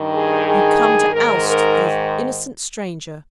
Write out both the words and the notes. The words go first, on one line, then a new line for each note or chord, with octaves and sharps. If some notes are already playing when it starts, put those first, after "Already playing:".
'You come to oust the innocent stranger.
Already playing: G2 D#3
G#4
G#4
G#2 D#3 A#4
A#4